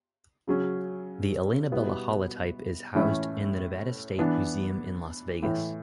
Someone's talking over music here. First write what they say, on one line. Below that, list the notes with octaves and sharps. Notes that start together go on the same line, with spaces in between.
The "Elainabella" holotype is housed in the Nevada State Museum in Las Vegas.
C#3 F#3 C#4
B2 G3 B3 E4
A2 E3 A3 C#4 E4
E3 B3 D4
A2 E3 A3